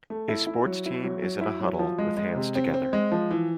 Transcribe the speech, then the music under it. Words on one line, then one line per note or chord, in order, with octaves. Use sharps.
A sports team is in a huddle with hands together.
A3
E4
E4
F#3
E4
F#3
F#3
E4
F#3
F3
G#3
G#3
C3
C4
C4
G#3
F3
E3